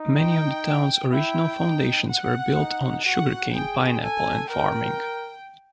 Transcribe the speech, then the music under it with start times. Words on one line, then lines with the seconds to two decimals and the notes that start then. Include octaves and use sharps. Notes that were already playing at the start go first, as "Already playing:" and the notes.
Many of the town's original foundations were built on sugarcane, pineapple and farming.
Already playing: D#4
0.17 G5
1.13 E4 G5
1.61 D#4
2.10 F#5
2.57 D#4
3.05 F#4 F#5
3.53 G#4 G5
4.02 A4 G#5
4.50 A#4 G5